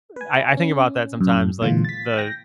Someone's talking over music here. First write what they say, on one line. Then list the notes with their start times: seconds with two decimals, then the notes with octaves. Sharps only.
Uh, I I think about that sometimes, like, the
0.16 B4 G#5
0.57 C#4
1.21 F#2
1.62 A#2 D3 E3 G#3 F4
1.85 A6 B6
2.17 G5 A#6